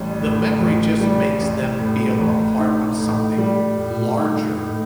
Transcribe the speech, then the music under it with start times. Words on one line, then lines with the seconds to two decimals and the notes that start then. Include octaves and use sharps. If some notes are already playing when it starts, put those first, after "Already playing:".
the memory just makes them feel a part of something larger
Already playing: A1 G3
0.21 A2
0.60 A1
1.01 G3
1.40 A1
1.80 A2
2.19 A1
2.58 D#4
2.98 A2
3.38 G3
3.78 A2
4.17 D#4
4.57 A2